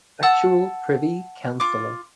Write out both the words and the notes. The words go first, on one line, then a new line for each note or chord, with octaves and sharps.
Actual Privy Councillor.
F#5 A5 E6
F4 D6